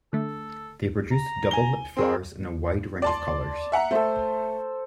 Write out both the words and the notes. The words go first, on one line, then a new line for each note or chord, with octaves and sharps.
They produce double-lipped flowers in a wide range of colours.
D3 A3 A4
A#5
G#5 G7
C4 G#4 A#4 C6
D5 A5 C6
E5 F#5 A#5
A3 A4 C5